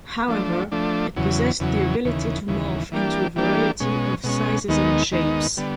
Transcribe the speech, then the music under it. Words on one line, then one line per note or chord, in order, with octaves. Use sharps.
However, it possessed the ability to morph into a variety of sizes and shapes.
F3 A3 D4
F3 A3 D4
E2 C#3 F#3
E2 C#3 F#3
D#2 C#3 E3
D#2 C#3 E3
E3 G3 A#3 D4 G4
E3 G3 A#3 D4 G4
B2 G#3 C#4
B2 G#3 C#4
D#2 D#3 G#3 B3 D#4
D#2 D#3 G#3 B3 D#4
D3 G3 B3